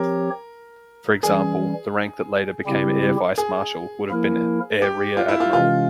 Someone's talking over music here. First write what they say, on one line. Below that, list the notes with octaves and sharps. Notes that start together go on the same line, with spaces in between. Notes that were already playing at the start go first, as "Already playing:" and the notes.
For example, the rank that later became air vice-marshal would have been air rear-admiral.
Already playing: F3 C4 G4 A#4 C#5
E3 G3 C#4 G#4
C#3 G3 C4 E4 G4
G#4
F3 A#3 E4 A#4
G4
F4
E4
F4
C3 E3 G#3 C#4 F4